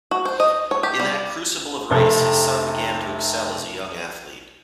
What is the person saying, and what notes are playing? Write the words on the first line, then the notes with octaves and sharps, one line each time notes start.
In that crucible of race his son began to excel as a young athlete.
F#4
C5
D#5
C#5
G4
G3
F1 C3 A4